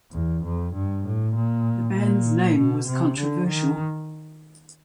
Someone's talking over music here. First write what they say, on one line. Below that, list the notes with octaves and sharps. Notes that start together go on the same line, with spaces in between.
The band's name was controversial.
E2
F2
G2
A2
A#2
A#2
B2
C3
D3
D#3